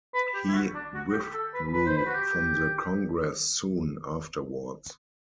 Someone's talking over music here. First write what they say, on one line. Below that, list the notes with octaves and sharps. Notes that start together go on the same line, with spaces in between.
He withdrew from the Congress soon afterwards.
B4
G4
E4
F#4
D4
F#4
F#4
G4
A4
B4
B4
C5
B4
F#4
G4